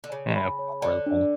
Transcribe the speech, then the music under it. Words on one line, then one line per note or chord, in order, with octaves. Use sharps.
and portable.
D3
C#3 C#5
B5
C#5
D3 D5
D4